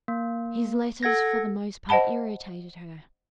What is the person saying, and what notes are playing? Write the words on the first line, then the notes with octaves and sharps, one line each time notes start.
His letters for the most part irritated her.
A#3
A4 F#5 G#6 A#6
C5 D#5 F#5 A5 B5